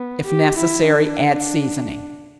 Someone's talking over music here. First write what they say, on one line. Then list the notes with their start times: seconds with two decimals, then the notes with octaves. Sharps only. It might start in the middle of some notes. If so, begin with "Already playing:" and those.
If necessary, add seasoning.
Already playing: B3
0.26 G4
0.57 E4
0.88 D4